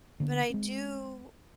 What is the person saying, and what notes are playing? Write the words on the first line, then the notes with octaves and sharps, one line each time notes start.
but I do
D3 A#3 B3
G#3 C4